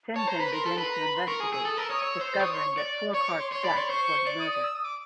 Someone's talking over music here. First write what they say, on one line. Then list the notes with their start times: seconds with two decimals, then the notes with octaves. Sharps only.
Tintin begins to investigate, discovering that Fourcart's death was murder.
0.16 C#5 A5
0.27 C5 A#5
0.40 B4 B5
0.53 A#4 C6
0.66 A4
0.78 B4
0.90 A#5
1.03 B5
1.15 C6
1.27 A#4 C#6
1.40 G#4 D#6
1.52 G#4 E6
1.64 A4 D#6
1.77 A#4 E6
1.90 C#5 D#6
2.03 C#5 E6
2.21 C5
2.35 C5
2.39 C#5 D#6
2.53 C6
2.58 C#6
2.77 D5
3.14 C#5 C#6
3.28 D6
3.40 C6
3.52 C#5 C6
3.64 D5 B5
3.77 C#5 C6
3.89 C5 C#6
4.27 D5
4.39 D#6
4.51 D#6
4.64 E6
4.75 D#6
4.84 D6